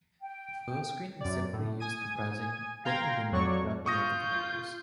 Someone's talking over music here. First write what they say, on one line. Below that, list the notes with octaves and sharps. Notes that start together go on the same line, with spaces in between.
A foil-screen is typically used, comprising thin aluminium wrapped around the conductors.
G5
F#2 D5
A2
G#5 D#6 G#6 D#7
F5 G5 A#5 C6 G#6 A#6
F2 F#3 F#4 C#5 D5 C#6
F4 C#6 D#6 G6 A#6